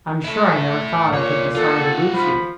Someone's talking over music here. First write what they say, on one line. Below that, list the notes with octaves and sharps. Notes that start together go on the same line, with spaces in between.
I am sure I never thought I could be sorry to lose you!'
E4 A4
C2 A#2 C#5
F4 A4 F#5
F3 B5